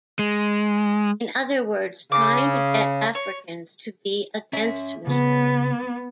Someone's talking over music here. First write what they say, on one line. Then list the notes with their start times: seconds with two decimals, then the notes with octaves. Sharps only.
In other words, trying to get Africans to be against me.
0.19 G#3
2.12 C#3 D6
3.15 C#5
4.53 C#4 E5
5.07 C#3 B3